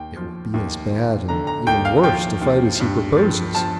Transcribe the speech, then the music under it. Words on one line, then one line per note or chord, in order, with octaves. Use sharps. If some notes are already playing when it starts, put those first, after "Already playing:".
"It will be as bad, and even worse, to fight as he proposes."
Already playing: D#2 G5
F3
D#2
D#2
D3 A#5
A#5
D#2 G5
F5
F3 G5
D#2
G2
F3
F3 A5